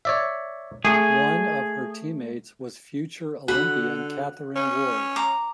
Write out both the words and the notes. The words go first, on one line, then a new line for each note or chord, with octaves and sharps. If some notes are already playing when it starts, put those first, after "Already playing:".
One of her teammates was future Olympian Catherine Ward.
C#5 D5 E5
A3 G#4
D3 F#4 F#5 B5
C#4
A#5 D6